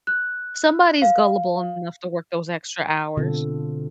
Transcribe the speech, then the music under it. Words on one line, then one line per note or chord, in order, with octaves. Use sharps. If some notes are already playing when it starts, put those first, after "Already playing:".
somebody's gullible enough to work those extra hours.
F#6
F5
B2 D3 C4 F4 A4